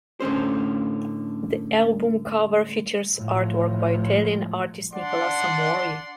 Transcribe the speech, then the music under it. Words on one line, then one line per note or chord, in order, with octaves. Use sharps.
The album cover features artwork by Italian artist Nicola Samori.
A2 D3 C#4 C5
A2 F3
D4 D5 F#5 C6